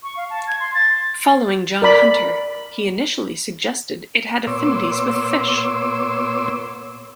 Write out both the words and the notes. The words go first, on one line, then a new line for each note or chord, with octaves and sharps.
Following John Hunter, he initially suggested it had affinities with fish.
C#6
F5
A5
G#6
C6
A6
A#4 D5 B5
A#2 B3 C#5 C6 D6 E6